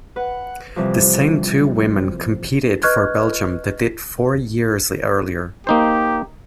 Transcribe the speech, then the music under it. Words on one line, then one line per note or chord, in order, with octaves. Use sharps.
The same two women competed for Belgium that did four years earlier.
B4 F#5
C3 E3 F3 G3
B4 D#5 C#6 F6 F#6 G#6
A#3 D#4 G4 C5